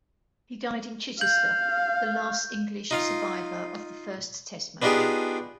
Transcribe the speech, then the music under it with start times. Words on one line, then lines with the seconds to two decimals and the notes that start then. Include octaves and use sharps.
He died in Chichester, the last English survivor of the first Test match.
1.21 F5 G6 F#7
2.91 D#4 F4 F5
4.82 B3 D4 D#4 F4 G4 G#4